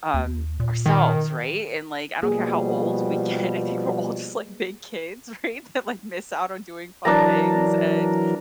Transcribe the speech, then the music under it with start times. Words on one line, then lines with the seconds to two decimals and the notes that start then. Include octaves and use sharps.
um, ourselves, right? And, like, I don't care how old we get. I think we're all just, like, big kids, right, that, like, miss out on doing fun things, and
0.14 D#2
0.60 A#2
0.86 D#3
2.23 B2 F3 G3 A#3 G#4
7.05 E3 F#3 D4 A#4 A5 A#5